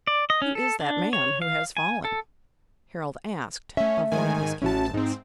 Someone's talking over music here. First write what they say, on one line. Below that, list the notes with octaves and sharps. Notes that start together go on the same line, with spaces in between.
'Who is that man who has fallen?' Harold asked of one of his captains.
D5
D#5
C#4
A4
D4
C#5
F5
G#5
A4
A3 C#4 E5
G#2 D#3 G#5
A1 C#4 E4 F#4 A5
G#2 C4 D#4